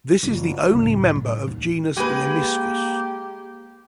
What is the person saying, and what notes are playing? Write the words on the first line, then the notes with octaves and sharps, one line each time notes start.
This is the only member of genus Lemmiscus.
F#1 F4
C#2 A2
A2
D#2
G#3 A#3 G4 B4